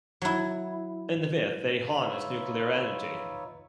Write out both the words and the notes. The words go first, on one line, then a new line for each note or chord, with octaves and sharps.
In the fifth, they harness nuclear energy.
F#3 E4
D#4 F4 B4 C#5 E5